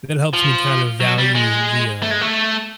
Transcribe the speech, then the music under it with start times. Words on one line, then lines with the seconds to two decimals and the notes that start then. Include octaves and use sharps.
that helps me kind of value the, uh,
0.34 F3
1.00 F#3
1.18 G3
1.35 G#3
2.03 A3
2.11 G#3
2.21 A3